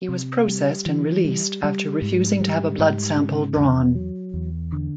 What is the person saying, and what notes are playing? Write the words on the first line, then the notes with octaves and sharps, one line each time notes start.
He was processed and released after refusing to have a blood sample drawn.
C3
G3
E3
G3
G3
G#2
G3
G#2
C#3
E2
F#3
E2
D3